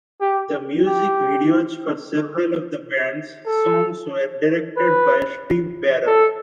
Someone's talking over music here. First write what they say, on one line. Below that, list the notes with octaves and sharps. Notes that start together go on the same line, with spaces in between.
The music videos for several of the band's songs were directed by Steve Barron.
G4
G4
A4
B4
A4